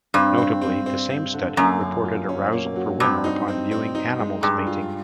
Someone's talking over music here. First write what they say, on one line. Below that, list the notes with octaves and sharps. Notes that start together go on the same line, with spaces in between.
Notably, the same study reported arousal for women upon viewing animals mating.
G2 C4
C4
C4
C4
C4
D3
F#2 A#3
A#3
F4
C#4
A#3
F#3
G2 C4
D#4
C4
C4
D#4
G#3
G2 G#4
F4